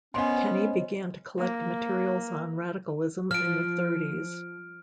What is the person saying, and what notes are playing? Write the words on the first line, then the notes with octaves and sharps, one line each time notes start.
Kenny began to collect materials on radicalism in the thirties.
B3 C#4 C5 C#5 D#5 G#5 C6
A#3
F3 F6 D7